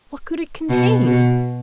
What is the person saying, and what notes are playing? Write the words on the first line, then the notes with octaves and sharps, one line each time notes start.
What could it contain?
B2
B2